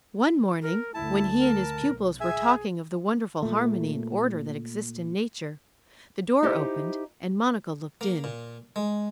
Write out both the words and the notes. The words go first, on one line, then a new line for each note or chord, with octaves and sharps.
One morning, when he and his pupils were talking of the wonderful harmony and order that exist in nature, the door opened and Monica looked in.
A#4
D2 A3 E4 A5
A#4
B1
G#4 E5 G#5
A#2 A3
D#4 E4 G4 C5 D#5
A#3
A#2
G#3